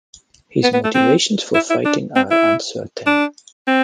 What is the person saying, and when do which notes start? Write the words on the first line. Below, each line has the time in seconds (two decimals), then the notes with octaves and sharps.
His motivations for fighting are uncertain.
0.63 B3
0.74 B3
0.84 A3
0.95 C4
1.54 E4
1.70 E4
1.85 D4
2.16 C4
2.31 E4
3.06 D4
3.67 C4